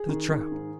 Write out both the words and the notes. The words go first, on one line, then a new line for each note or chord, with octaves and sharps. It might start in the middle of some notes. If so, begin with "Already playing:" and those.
"To the trap!"
Already playing: G#4
D#3
D#3
G#2